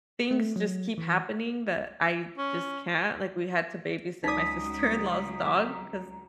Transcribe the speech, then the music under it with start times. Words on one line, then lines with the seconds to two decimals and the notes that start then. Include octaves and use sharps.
things just keep happening, that, I just can't like, we had to babysit my sister-in-law's dog 'cause,
0.31 A3
0.56 F#3
0.98 E3
2.38 C#4
4.24 C#2 F#3 D#4 D5 A#5 D6 D#6 B6